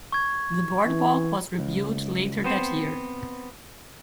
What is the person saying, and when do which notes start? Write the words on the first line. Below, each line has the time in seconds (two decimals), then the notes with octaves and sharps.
The boardwalk was rebuilt later that year.
0.12 C#6 G#6
0.86 E3
1.59 C#2
2.44 B3 C4 C5